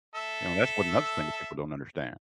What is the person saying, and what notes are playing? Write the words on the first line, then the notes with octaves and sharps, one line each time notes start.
You know? That's what another thing that people don't understand.
A4 E5